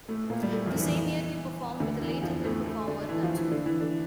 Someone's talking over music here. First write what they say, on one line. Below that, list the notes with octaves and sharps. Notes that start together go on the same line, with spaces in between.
The same year, he performed with late Indian performer Kanchan.
A2 A3
A#2 A#3
G3
A2 A3
F2 F3
D3
E2 E3
D2 D3
E2 E3
F2 F3
A2 A3
A2 A3
D3 D4
D4
E3 E4
F3 F4
E3 E4
D3 D4
E3 E4
D3 D4